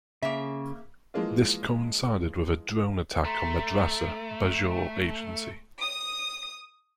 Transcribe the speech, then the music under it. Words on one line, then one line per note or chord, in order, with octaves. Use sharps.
This coincided with a drone attack on Madrassa, Bajour Agency.
C#3 A#3 E5
E3 F3 G#3 A#3 F4
A3 A#5 C6 B6
D#6